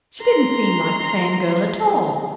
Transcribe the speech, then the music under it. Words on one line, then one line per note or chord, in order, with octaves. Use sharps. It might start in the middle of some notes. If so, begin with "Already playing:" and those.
She didn't seem like the same girl at all.
A#5 C6